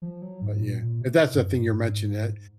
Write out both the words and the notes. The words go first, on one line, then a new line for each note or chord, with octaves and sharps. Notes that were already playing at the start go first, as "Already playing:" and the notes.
but, yeah. If that's a thing you're mentioning, that
F3
F#3
G#2
A#2
A#2
C3
G#2
F#2
G#2